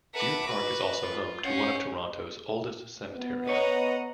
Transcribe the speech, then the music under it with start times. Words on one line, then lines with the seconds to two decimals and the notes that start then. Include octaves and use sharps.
Deer Park is also home to one of Toronto's oldest cemeteries.
0.14 B4 E5 F#5 A5 D6
0.46 F#4 B4 D6
1.02 F4
1.43 C#4 F5 F#5 G6
3.16 B3
3.48 B4 C#5 D#5 F#5 A#5